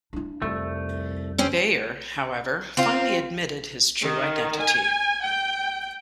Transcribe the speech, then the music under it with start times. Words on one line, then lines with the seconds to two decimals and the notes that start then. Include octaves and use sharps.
Baer, however, finally admitted his true identity.
0.13 D4 E4
0.42 C2 F2 A3
1.38 C4 C#4 G4
2.77 C4 F4
4.03 D#3
4.61 G#5
5.23 G5